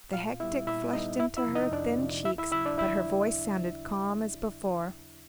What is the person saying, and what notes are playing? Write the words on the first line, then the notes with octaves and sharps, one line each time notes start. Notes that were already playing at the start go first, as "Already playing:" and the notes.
The hectic flushed into her thin cheeks, but her voice sounded calm as before.
A#2 F4 F5
G3 B3 E4 E5
A#2 E4 E5
G3 B3 D#4 D#5
F2 E4 E5
E4 E5
C3 F3
D#4 D#5
F2 D4 D5
C3 F3
D#2 E4 E5
E4 E5
C#3 F#3 E4 E5
D4 D5
D#2 E4 E5